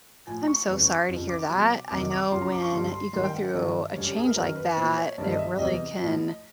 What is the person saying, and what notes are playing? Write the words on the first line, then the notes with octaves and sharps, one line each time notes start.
I'm so sorry to hear that. I know when you go through a change like that, it really can
A2 F3 G#5
C#6
F2 C#3 E3 G3
F2 C#3 F3
D6
B2 F#3
F2 C3 D#3 D6
D6
F#2 C#3 F3 C6
A#5
D6
C#6
G2 D3 G3 C6
C6
G#2 D#3 G3 C6
G5
F#5
F#5
G2 D#3 F#3 D5
F#2 D3 G3 C#5
G4
G#4
A#4
F#2 D#3 F#3 A#4
B4
A#2 F3 C5
C#5
G2 D#3 G3 D5
D#5
E5
E2 C3 E3 G3 D#5
A2 F3